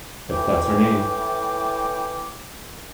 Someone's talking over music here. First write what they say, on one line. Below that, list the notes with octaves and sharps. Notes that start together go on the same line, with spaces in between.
If that's her name.
A2 E3 G5 D6